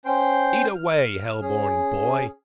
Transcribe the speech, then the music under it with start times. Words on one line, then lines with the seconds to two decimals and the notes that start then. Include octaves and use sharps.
Eat away, hell-born boy!
0.05 C#4 C5 G5 C6
0.75 F6
1.41 C#4 G#4